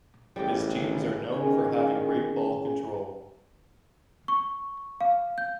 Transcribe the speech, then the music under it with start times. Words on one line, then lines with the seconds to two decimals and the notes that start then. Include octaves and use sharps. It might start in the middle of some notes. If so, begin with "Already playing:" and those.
His teams are known for having great ball control.
0.36 A1 G3 G#3 G4
1.30 D#3 C#4 G#4 G#5
4.28 C#6
5.01 F5
5.38 G6